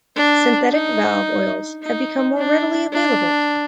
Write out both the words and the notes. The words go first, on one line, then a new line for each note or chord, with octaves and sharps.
Synthetic valve oils have become more readily available.
D4
D#4
D#4
D4
D4